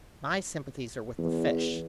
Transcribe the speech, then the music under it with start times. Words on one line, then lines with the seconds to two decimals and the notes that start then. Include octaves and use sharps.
"My sympathies are with the fish."
1.18 E2